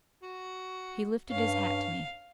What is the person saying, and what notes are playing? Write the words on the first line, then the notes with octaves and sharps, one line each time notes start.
He lifted his hat to me.
F#4
G2 C#4 F5